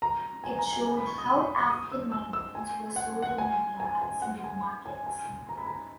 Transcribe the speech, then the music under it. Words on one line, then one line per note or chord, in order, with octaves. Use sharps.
It showed how African migrants were sold in Libya at slave markets.
A#5
G#5
A#5
G#5
G#5
B5
C#6
D#6
C#6
B5
C#6
D#6
E6
E6
E6
G#5
F#5
F#5
G#5
G#5
G#5
F#5
G#5
G#5
G#5
A#5
B5
A#5